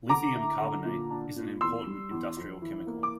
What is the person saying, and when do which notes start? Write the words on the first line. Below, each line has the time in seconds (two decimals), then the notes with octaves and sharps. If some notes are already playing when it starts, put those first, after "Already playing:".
Lithium carbonate is an important industrial chemical.
0.09 D3 A#5 D6
0.35 E4
0.60 D3
0.85 A#2
1.11 D4
1.36 A#2
1.61 E2 C6 E6
1.86 G3
2.11 E2
2.37 F2
2.62 E3
2.87 A#3
3.03 D6